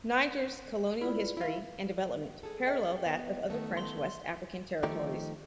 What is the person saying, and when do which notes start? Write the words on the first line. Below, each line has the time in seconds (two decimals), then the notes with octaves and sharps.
Niger's colonial history and development parallel that of other French West African territories.
1.01 E4 F4 B4 D5
1.37 E4 E5 F5
2.43 G#4 A4
2.66 D#5 G5
3.06 B3
3.50 D#3 A3 B3
3.77 C6 G7
4.83 D#3 F3 A3 D#4 G4